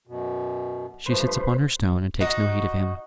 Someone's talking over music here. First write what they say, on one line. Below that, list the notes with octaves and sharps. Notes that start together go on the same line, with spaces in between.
She sits upon her stone, and takes no heed of him.
F#2 B2
G2 F3 A3 B4 C5
D#4 F#4